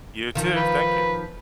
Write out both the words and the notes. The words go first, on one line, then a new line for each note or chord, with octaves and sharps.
You, too. Thank you.
D#3 F3
B4